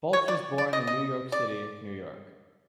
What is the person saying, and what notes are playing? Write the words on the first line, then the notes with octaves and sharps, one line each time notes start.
Baltz was born in New York City, New York.
C#5
D5
D5
D#5
D#5
D5